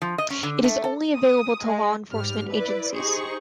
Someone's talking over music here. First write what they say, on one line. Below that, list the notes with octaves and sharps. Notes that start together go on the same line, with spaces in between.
It is only available to law enforcement agencies.
F3
D#5
C#4
D3
A3
A4
D#6
G#3
G#2 G3 F6
E4 B4 D5
D#4 G4 G#4 C5 C#6